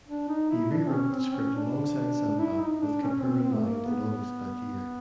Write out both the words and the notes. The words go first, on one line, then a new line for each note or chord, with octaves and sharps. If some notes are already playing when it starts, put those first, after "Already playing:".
He rewrote the script alongside Sampath with Kapoor in mind in August that year.
D4
D#4
E4
D4
C4
C#4
C4
C#4
D4
E4
D#4
D#4
D4
C#4
C4
C4
A3
A#3
B3